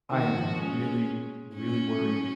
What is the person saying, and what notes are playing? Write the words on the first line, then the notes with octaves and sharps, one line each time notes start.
I am really, really worried
D#3 F#4
F3
G#3 C#4
C#4
F#3